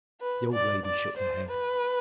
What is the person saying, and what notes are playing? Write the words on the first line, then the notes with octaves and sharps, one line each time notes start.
The old lady shook her head.
B4
D5
D5
C5
B4